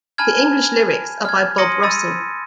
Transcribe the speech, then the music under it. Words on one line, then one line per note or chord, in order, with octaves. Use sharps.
The English lyrics are by Bob Russell.
G#5 A5 B5 F6 G#6
F6 G#6
C6 D#6 A#6 C#7 D#7
B5 E6 A6 D#7